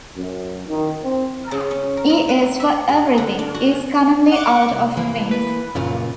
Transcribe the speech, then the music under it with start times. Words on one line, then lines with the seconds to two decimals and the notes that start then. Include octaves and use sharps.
"E is for Everything" is currently out of print.
0.17 F#2
0.67 D#3
1.02 C4
1.51 C#3
1.71 C#4
1.97 A#4
2.10 A#4
2.29 B4
2.60 E5
2.89 G2
3.18 D3
3.39 D4
3.54 F#4
4.32 F#5 C#6 D6
4.71 C2
4.97 E3 A#3
5.31 B4
5.75 F#2 A#2 C#3 F4